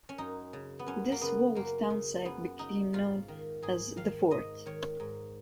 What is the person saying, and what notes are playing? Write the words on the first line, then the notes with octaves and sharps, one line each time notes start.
This walled townsite became known as "the Fort".
C#4
F#2 D#4
C#3
B3
F#2 C#4
A#3
C#3 B3
F#2 A#3
C#3
F#2 B3
C#3 D#4
G#2 F4
D#3
G#2 G#4
D#3 F5
G#2 D#5
D#3 C#5
G#2